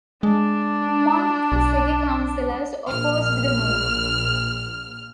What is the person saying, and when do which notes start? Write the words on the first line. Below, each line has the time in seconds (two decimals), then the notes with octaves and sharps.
Moncton City Councillors opposed the move.
0.23 G#3 D4
1.52 B1
2.87 A#1 F6